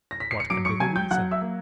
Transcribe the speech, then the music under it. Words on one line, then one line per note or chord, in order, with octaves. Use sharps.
What can be the reason?
A#6
B6
C7
C#7
F#3 D6 D7
C#6 C#7
F#3 G#5 G#6
G5 G6
F#3 F#5 F#6
E5 E6
A#3